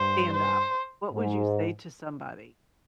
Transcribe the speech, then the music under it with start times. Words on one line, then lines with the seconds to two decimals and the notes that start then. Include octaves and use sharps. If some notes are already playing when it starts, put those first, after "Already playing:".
stand up? What would you say to somebody?
Already playing: G2 C5
0.33 C5
1.12 G#2